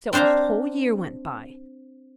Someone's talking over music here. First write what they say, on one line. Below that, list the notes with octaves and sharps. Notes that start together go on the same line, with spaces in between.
So a whole year went by.
C4 D4 C5 F5 A#5